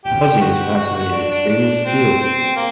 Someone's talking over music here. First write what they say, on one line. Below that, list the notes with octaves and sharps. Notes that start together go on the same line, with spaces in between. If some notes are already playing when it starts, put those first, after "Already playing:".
The housing is passivated stainless steel.
G4
F#4
F#4
F#4
D4
D4
D4
C4
C4
A#3